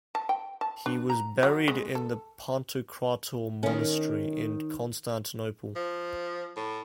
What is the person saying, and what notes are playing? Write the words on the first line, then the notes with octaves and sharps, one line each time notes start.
He was buried in the Pantokrator Monastery in Constantinople.
A5
G5
A5
D4
A#5
F#3
G#3
A4
D#3 C#4
F3
A2